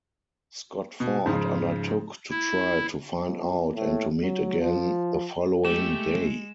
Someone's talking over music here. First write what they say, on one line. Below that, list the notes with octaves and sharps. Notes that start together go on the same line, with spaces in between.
Scott-Ford undertook to try to find out and to meet again the following day.
B2
G#2 C#3 F3
E4
F2
A2
F#3
F3
G#3 A3 G4 E7